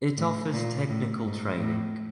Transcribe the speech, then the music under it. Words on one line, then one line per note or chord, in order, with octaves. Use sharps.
It offers technical training.
A2
A#2
A2
G#2
A2